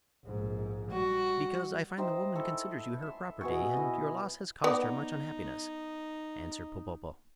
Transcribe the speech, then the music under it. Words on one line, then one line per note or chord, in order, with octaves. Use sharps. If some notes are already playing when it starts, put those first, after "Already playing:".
"Because I find the woman considers you her property, and your loss has caused her much unhappiness," answered Popopo.
A#1 G#2
G3 F#4
D#4 C5 E5 G5
E4 A4 C#6
E5 C6
B2 G#4 C#6
E4 D#5
B3 D#4 D5